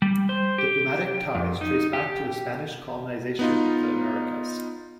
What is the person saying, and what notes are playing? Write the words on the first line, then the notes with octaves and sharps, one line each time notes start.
Diplomatic ties trace back to the Spanish colonization of the Americas.
G3
C5
G4
F2
D#4
G4
B3 D#4 F4